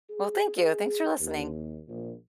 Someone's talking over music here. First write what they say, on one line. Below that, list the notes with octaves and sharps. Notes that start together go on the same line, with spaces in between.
Well, thank you. Thanks for listening.
G#4
D#2
A#1